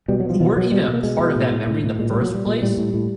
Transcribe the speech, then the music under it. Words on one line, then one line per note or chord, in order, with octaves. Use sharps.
who weren't even a part of that memory in the first place
B2 G3
F#3
B2 F3
B2 F3
B2 F#3
B2 G3
G#3
B2
A#3
B2 G#3
B2
A2
A2
A2
A2
A#2 G#3
A#2 G3
F#3
A#2 G3
A#2
A2 G3
A2
A2